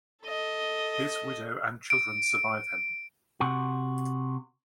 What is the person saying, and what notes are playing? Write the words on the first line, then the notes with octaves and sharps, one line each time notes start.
His widow and children survive him.
A4 D#5
D7
C3 F#4